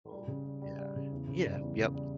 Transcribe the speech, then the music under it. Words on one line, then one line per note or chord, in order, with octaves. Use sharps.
Oh yeah, yeah, yep,
G3
C#3
G3
G3
G3
C#3
E2
C#3
G3
E2
C#3
G3